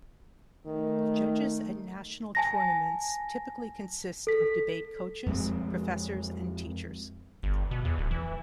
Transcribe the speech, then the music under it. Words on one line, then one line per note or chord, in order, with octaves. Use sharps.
Judges at National Tournaments typically consist of debate coaches, professors, and teachers.
D#3 A3
G#5 A5 A#6
A4 B6
F2 G#3 C4
G1
B2
E2
D1
E3